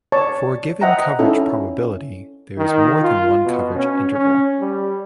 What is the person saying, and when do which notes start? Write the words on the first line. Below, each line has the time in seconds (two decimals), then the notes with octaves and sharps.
For a given coverage probability, there is more than one coverage interval.
0.12 C#5 D5 A5
0.81 C5 D#5 E5 F#5 G5 A#5
1.19 C#4 D#4 E4 A4
2.58 D#3
3.02 F4
3.45 B2
3.76 C#4
4.13 C#4
4.60 G3